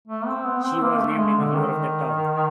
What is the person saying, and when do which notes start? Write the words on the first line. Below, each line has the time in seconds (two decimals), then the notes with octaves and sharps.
She was named in honour of the town.
0.08 A3
0.26 C4
0.45 B3
0.63 C4
0.81 A#3
1.00 A3
1.18 G#3
1.36 D3
1.55 D#3